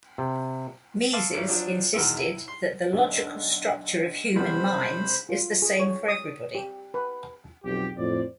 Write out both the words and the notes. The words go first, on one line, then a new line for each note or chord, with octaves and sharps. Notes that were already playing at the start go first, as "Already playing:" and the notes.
Mises insisted that the logical structure of human minds is the same for everybody.
C3
E5 F5 A5 C6 D6
G#1
F3 F#3 D4
E2 B2 D#3 G#3 E5 E6
E4
C6
B1 D3
F#1 C3 G3 B3 C5 B5
F4
G#4
C#5
D#6
G4
B4
B1 F2 G4
F2 A2 C5 D5